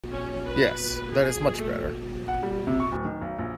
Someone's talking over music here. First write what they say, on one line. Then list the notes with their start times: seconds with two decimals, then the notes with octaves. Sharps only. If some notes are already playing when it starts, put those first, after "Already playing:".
Yes, that is much better.
0.11 C#4
0.47 B4
1.12 G#4
1.59 A3
2.28 F#5
2.43 G3
2.67 C3
2.80 C#6
2.92 D1
3.05 D#3
3.21 B1
3.39 A#1